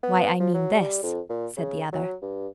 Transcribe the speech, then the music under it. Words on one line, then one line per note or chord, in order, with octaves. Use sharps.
"Why, I mean this," said the other.
B3
F3
F#3
G3
F2
A#2
C#3
F#3
G2